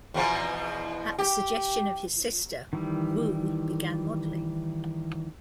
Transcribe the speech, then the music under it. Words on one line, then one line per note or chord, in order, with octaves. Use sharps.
At the suggestion of his sister, Wu began modeling.
E2 B2 F3
G4
D#3 E3 G3